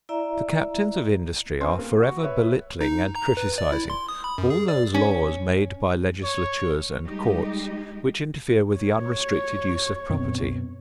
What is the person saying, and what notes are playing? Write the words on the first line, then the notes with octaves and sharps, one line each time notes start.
The captains of industry are forever belittling and criticising all those laws made by legislatures and courts which interfere with the unrestricted use of property.
E4 D5 E5 A#5
C4 C#4 B4 C5 G#5 C6
A#3
F#4 C#6
B4 C#5 E5 B5
D#4
A#5
B4
D5
E4
C6
D#6
B5
F#2
G#4
D5
C#4
C#5
G3 G#3 D#4 G4 D#5
C#5
F#2 B2 C4